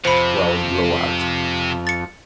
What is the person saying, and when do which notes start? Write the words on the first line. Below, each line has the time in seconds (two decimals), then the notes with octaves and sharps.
Swell blowout.
0.05 F2 C3 C5 B5
1.87 A6 C#7